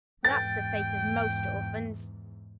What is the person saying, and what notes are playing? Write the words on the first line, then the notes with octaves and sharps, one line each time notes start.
That's the fate of most orphans.
E2 G#2 G5 A6